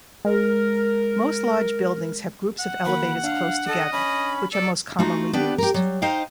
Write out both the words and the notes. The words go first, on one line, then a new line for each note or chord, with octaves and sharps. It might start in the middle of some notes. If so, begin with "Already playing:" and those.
Most large buildings have groups of elevators close together, which are most commonly used.
G#3 A#4
F#5
D#3 A#3 F#4 B5
D4 F5
A4 D#5
C#4 B5
A4 D5
A3 D#4 F4 F#4
B3 D4 G4 B4 D5
G4 A#4
F#3 G3
D#4 C5 D#5 F5 G5